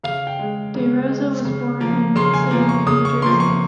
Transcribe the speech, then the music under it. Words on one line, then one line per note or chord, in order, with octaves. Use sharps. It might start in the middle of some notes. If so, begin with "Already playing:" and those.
DeRosa was born in Passaic, New Jersey.
C#3 F5
G5
G#3
C#3
G#3
C#3
F3 A#3
C#3 C6
G#5
F3 A#3
C#6
C#3 D#6
C#6
F3 A#3 C6
C#6